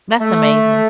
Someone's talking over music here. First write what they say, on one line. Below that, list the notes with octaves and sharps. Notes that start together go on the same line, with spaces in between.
That's amazing.
A3